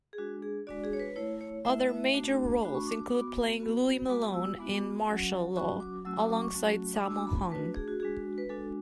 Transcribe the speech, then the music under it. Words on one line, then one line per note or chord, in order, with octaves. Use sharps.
Other major roles include playing Louis Malone in "Martial Law" alongside Sammo Hung.
G#4
G#3 D4 F#4
G#4
G#3 D4 F#4 D5
G#4
C#5
B4
A3 E4 C#5
C#5
A3 E4 E5
E5
A3 D4 F#4
A3 D4 F#4 B5
C#6
D6
D6
B3 F#4
B3 F#4
G#3 B3 F#4 D6
E6
G#3 B3 F#4 D6
F#3 C#4 F#4
F#3 C#4 F#4 C#6
D6
F#3 A3 C#4 F#4 E6
D6
D6
C#6
F#3 A3 C#4 F#4
D6
A3 D4 F#4 E6
D6
B5
A5
A3 D4 F#4 B4
G#4
F#4
G#3 D4 F#4 G#4
B4
G#3 D4 F#4 A4